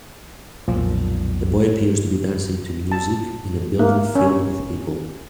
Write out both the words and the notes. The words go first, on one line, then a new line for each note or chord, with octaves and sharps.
A boy appears to be dancing to music in a building filled with people.
B1 F2 A#2 F3
A5
A#3
C#4